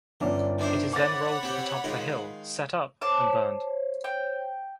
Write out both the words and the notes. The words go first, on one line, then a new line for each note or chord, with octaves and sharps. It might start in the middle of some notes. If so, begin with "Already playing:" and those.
It is then rolled to the top of a hill, set up, and burned.
G1 D3 C#4 D5
D#3 D4 E4 C5
C#5 F#5 B5 D6 A6
C4 G4
D#3 G#3 F4
C5 C#5 A5 D6
G5